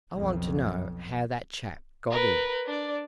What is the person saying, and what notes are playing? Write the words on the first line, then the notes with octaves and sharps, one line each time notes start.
I want to know how that chap got in.
B1 F2
A#4 B4
D4 D5